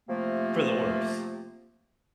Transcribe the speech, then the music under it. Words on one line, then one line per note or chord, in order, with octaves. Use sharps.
for the worse.
C3 F3 A3 A#3